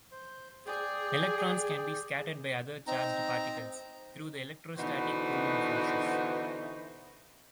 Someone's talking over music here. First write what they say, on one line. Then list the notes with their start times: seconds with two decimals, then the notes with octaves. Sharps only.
Electrons can be scattered by other charged particles through the electrostatic Coulomb forces.
0.12 C5
0.67 G#4 D5 G5
2.87 C4 D#4 A#5
4.78 B2 D3 E3 D#4 F#4 C5